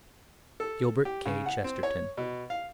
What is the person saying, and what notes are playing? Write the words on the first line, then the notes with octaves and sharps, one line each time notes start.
Gilbert K. Chesterton.
A4
G4
C#3
F#5
C4
C#5
B2
F5